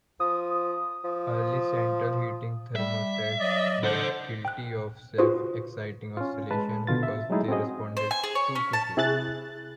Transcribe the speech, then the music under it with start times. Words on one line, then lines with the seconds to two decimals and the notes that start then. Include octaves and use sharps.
Early central heating thermostats were guilty of self-exciting oscillation because they responded too quickly.
0.20 F3 D#6
1.04 F3
2.76 G3 E5
3.40 F#3 D5 D#5
3.84 A4 C5 F#5
4.45 G5 F#6
5.18 F4 F#4 G#4 B4 C5
6.17 C#4 F4
6.51 G#3 B4 A5
6.87 B2 D3 F4 A6
7.03 E5
7.30 F#3 G#3 A3 D#4 E4 G#4
7.48 C4 C#4 F#4 G#4 D#5
7.97 C5
8.11 G#5
8.24 G#4
8.35 C#5
8.55 C#4
8.73 A5
8.97 C3 E4 G#4 F#6 A6